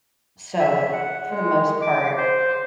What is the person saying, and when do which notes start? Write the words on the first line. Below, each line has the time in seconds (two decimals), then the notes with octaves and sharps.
So, for the most part,
0.60 E5
0.93 F#5
1.30 G#3
1.82 D6
2.18 C5